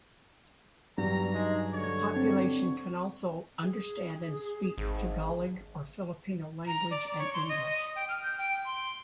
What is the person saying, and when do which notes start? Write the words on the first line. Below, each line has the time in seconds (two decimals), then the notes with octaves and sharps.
The population can also understand and speak Tagalog or Filipino language and English.
0.98 G2 F#3 G3 A#5
1.34 G#3 D#4
1.73 D3 C#5
2.16 C4
3.62 G#4
4.78 G#1
6.67 A#5
6.91 D5
7.19 C#5
7.33 C6
7.49 D#5
7.78 D#6
7.96 G5
8.09 F6
8.23 G6
8.38 G5
8.65 C6